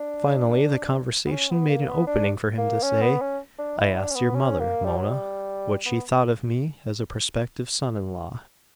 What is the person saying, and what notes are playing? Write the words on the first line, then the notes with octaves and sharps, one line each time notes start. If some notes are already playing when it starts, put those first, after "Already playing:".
Finally the conversation made an opening for him to say, "I asked your mother, Mona, what she thought of me as a prospective son-in-law."
Already playing: D4
B3
C#4
B3
A#3
B3
D4
A#3
C#4
B3
C#4
D4
E4
D4
C#4
B3
C#4
A#3
G3
F#3
G3
B3